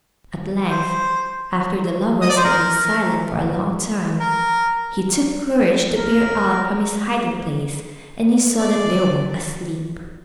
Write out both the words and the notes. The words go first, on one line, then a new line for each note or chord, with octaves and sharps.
At length, after the lovers had been silent for a long time, he took courage to peer out from his hiding-place, and he saw that they were asleep.
C5
D#5
D5
C5
A#4
A#4
A#4
D5